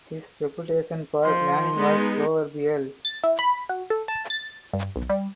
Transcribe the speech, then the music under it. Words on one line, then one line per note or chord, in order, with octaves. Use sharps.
His reputation for learning was proverbial.
F3 C6
G#3 B3 D#4
A6
E4
B5
F#4
A4
A5
A6
G2
B1
G3